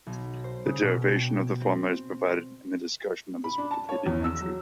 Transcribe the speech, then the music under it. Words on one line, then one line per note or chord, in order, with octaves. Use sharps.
The derivation of the formula is provided in the discussion of this Wikipedia entry.
B1
C5
C#3
B2
G5
C4
B5
D4
A5
C#5
E2
E6
F#3